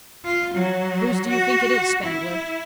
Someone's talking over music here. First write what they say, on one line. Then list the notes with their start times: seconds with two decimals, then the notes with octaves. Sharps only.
"Whose do you think it is, Spangler?"
0.24 F4
0.53 F#3
1.28 F#4
2.03 E4